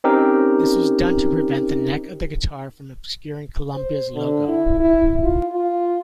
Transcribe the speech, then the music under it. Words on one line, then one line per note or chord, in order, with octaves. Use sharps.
This was done to prevent the neck of the guitar from obscuring Columbia's logo.
C4 C#4 D#4 G4 A#4
C5
D3
E4
E4
F4
F4